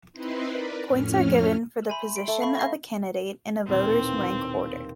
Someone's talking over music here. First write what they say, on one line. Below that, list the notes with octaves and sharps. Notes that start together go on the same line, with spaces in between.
Points are given for the position of a candidate in a voter's rank order.
C4 D#4 E4 B4 C5
A#4 B4 D5
F2 A2 C#4 F6
C5 E5 G#5 B5
D7
A3
F5 B5 C#6
F5 C#6 A#6
E1 D#2 A#2 C4